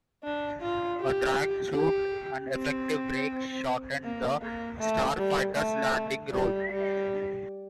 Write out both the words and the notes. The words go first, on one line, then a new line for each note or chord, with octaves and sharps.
A drag chute and effective brakes shortened the Starfighter's landing roll.
D4
F4
G4
G4
C4
A#3
A#3
A3
G3
A3
G3
G3